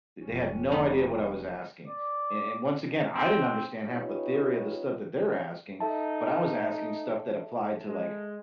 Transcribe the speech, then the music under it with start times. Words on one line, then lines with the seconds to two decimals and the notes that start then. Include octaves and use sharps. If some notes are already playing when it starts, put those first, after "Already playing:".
Th they had no idea what I was asking. A and, once again, I didn't understand half the theory of the stuff that they're asking, but I was asking stuff that applied to, like
0.24 F1 C#4
0.70 B3 D#4 D#5
1.88 D5
3.16 C4
3.88 C#4 D#4 F4 G4 B4 C#5
5.80 D#4 A4 E5 A5
7.87 G#3